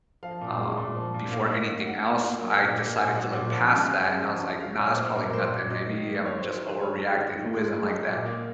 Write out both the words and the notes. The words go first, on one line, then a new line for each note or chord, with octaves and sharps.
um, before anything else, I decided to look past that, and I was like, "Nah, it's probably nothing, maybe I'm just overreacting, who isn't like that?"
F3 F5
A#2
G#3
A#2
F3
A#2
A#3 F5
D#5
A#3
F5
D#3
D#3 F#5
A#3
A#3
F#3
A#2
A#3
A#2 G#5
F#3 F#5
A#2 F#5
F3 F#5
C#3 G#5
G#3 F5
C#3 F#5
F3
C#3
F#3 F5
A#2 C#5
A#3 C5
A#2 A#4
F#3 C5
A#2
F#3 D#5
D#3
A#3
D#3 C#5
C5
F#3
A#4
D#3 C5
G#3 C#5
G#3
D#3
D#3
G#3
G#3
F#3 D#5
A#2
A#3